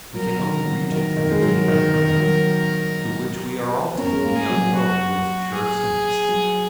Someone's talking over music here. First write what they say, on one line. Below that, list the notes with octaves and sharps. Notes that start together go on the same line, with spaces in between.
We can only reach it through the gate of death, to which we are all tending, young and old, with sure steps.'
F#3 A#4
D#3
F#3
D#3 A#4
D#3
G#3
F#3
D#3
D#3
F#3
C#4 A#4
G#3
A#3
G#4
F#3
F#4
G#4
F#3